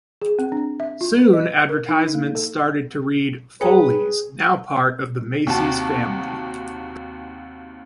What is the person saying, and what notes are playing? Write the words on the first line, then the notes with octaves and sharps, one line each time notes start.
Soon advertisements started to read "Foley's - Now part of the Macy's Family".
G#4
C4
D4
E5
F4
B4
D#5
A#4
D#4
A#3
A4
G#4 B4 C#5 G5 A#5
D#2 C3 F#4 A5